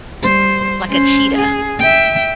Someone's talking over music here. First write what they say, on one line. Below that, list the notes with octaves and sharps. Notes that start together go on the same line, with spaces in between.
like a cheetah,
G3 C5
C#4 C5
G#4
E5 G5